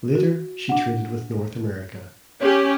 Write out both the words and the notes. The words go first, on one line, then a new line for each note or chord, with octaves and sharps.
Later she traded with North America.
F#4
D4 F#5
C#4 G4 C#5